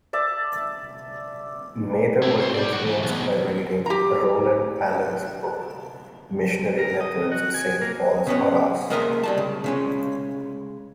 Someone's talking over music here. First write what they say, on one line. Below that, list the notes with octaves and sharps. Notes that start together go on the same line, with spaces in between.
Mather was influenced by reading Roland Allen's book, Missionary Methods: Saint Paul's or Ours?
D5 E5 A5
C4 E4
C5 C#5
G4 D5
G2 F#4
E3 A3
B1
G4 A#5
A#4
D#5
F#4
G#5
A#3
C#3 B3 C#4
G#3 A#3 A#4 B4 D#5 E5
G3 G#3 A5
C#3
C#3 G#3 C#4